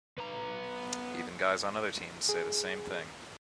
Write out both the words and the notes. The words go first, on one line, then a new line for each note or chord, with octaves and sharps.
Even guys on other teams say the same thing.
B3 A#5
G#4